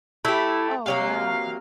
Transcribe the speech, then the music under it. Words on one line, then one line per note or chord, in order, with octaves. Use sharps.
Oh, wow.
A3 E4 G4
C3 F#3 A#3 F5